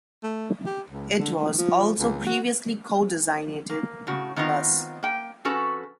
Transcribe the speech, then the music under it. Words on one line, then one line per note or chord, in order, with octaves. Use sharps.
It was also previously co-designated Bus.
A3
G4
C#2
D3
D#3
F3
C#2
F#4
A#3
A2 C#3 F#4
D#3 B3 C4 D#4 F4
A#3 G5
F2 C#4 F#4 A4 B4